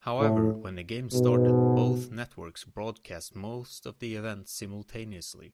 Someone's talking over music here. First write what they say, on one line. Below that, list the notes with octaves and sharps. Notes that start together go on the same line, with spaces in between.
However, when the Games started, both networks broadcast most of the events simultaneously.
A2
G#2 B2